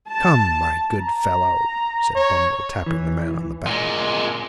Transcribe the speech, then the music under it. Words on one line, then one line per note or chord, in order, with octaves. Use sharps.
'Come, my good fellow!' said Bumble, tapping the man on the back.
A5
A#5
C#5
E3
A#2 G#3